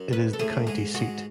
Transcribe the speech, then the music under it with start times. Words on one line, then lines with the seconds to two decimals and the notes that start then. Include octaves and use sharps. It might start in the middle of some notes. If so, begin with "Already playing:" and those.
It is the county seat.
Already playing: F#2 F#3
0.13 B4
0.33 A4
0.39 A2 A3 G#4
0.67 G#2 G#3 G#4
0.94 G#2 G#3 F#4